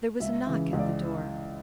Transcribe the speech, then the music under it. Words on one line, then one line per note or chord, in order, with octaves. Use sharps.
There was a knock at the door.
C#2 E5
C#3 E3
C#2
D5